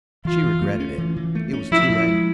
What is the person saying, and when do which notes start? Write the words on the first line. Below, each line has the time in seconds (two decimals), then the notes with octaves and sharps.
She regretted it. It was too late.
0.25 E3 F4
0.43 E3
0.62 A3
0.80 C#4
0.98 E3
1.16 E3
1.35 A3
1.53 C#4
1.71 F3 E4
1.90 F3
2.08 G#3